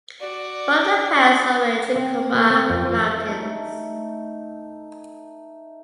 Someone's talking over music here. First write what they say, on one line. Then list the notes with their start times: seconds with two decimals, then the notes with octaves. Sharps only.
One of the pass over the Chikuma mountains.
0.20 F#4 D5
1.96 C4
2.35 A#3
2.50 C4
2.70 F2
2.85 F3
3.05 E5
3.28 A3 D#4